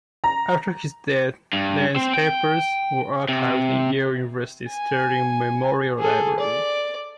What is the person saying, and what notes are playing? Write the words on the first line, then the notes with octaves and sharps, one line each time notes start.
After his death, Lane's papers were archived in Yale University's Sterling Memorial Library.
A#5
G2
C4
G5
C3
G#5
G#4 A4
D5